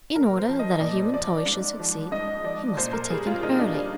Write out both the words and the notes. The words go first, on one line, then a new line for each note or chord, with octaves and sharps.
In order that a human toy should succeed, he must be taken early.
A#2 A#4
C5
F3
D#5
A#2 D5
F3 D5
G#2
F3
G#2 D#5
F3 D5
A#2 C5
A#4
G3 G#4
F4
A#2 D#4
D4
G3 D4